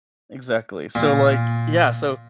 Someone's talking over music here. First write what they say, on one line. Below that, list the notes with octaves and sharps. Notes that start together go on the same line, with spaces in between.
Exactly so like yeah, so
A#2